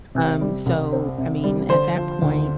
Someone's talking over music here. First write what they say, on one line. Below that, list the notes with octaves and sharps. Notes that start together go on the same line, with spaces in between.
Um, so, I mean, at that point,
C3
G3
C2
C4
C3
G3
D3 C5
F3
D2